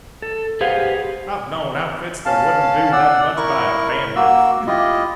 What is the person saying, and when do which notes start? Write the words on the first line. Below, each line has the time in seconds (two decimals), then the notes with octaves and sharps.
I've known outfits that wouldn't do that much by a family feud.'
0.22 A4
0.61 G4 G#4 B4 C5 F5 F#5
2.26 C#4 F5 A5
2.92 D5 F#5 E6
3.37 E4 A#4 C#6
4.16 A#3 F#4 E6
4.67 E4 F4 G4 D#5